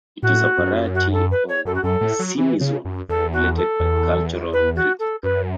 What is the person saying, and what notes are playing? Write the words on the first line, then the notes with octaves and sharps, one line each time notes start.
It is a variety of pessimism formulated by a cultural critic.
A2 F#4
F#2
F#4
A4
B4
C#5
F#2 A4
F#4
F#2 A4
A2
F#3
E3
C#3
F#2
E2 A4
F#4
A4
E2
B4
F#4
A4
F#2 B4